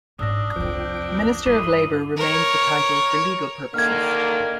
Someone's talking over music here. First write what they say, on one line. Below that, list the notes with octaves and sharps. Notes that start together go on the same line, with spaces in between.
"Minister of Labour" remains the title for legal purposes.
G#2 C#4 D4 D#6 E6 A#6
C2 F2 D3 F3 G5
G2 E4 B5 C6 D6 D#6 D#7
A#4 C#5
D3 D#3 A#3 F6 G#6